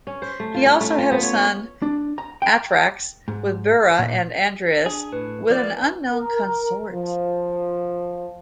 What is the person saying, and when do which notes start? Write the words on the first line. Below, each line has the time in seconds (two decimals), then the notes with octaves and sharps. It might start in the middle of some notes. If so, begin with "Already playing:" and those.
He also had a son Atrax with Bura, and Andreus with an unknown consort.
0.07 C#4
0.22 C5
0.40 A3
0.54 F4
0.66 C#4
0.81 A3
0.98 F4
1.11 B3
1.23 C#5
1.35 C#4
1.82 D4
2.18 A#5
2.42 G5
3.28 G#2
3.99 A#2
4.86 D4 G#4
5.13 A2 B4
5.50 F3 A#3 D5
6.11 A#4
6.91 F3